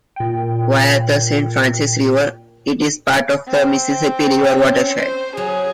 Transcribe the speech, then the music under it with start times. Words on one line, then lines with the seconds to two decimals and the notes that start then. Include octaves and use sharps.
Via the Saint Francis River, it is part of the Mississippi River watershed.
0.16 A#2 G5
3.47 C4
4.44 C#4
4.94 C5
5.37 F#3 G#4